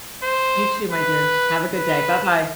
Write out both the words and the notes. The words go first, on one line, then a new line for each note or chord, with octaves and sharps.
You too, my dear. Have a good day. Bye-bye.
C5
B4
B4